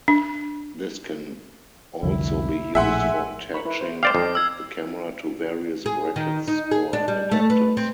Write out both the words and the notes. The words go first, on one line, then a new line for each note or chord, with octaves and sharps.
This can also be used for attaching the camera to various brackets or adapters.
D4
C2 F2 D3 E4
A#1 A2 G#4 E5 F#5 G#5 C6
A#4 B5 C#6
E4 B4 B5
C5
C5 D5 F5 G5 D6 F6 C7
F2 D#5
E6 G#6
G#4
D#3
D#4
G#4
D4
G3
A3
B4
C4